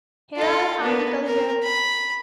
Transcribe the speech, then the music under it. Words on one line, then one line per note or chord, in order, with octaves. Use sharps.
Herald article here.
F4 A4
A#3 B3
A#4
B5